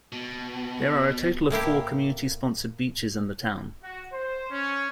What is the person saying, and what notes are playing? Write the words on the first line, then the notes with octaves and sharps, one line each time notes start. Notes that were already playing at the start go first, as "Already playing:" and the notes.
There are a total of four community-sponsored beaches in the town.
B2
A2 A#3 E4 G4
F#4
C5
C#4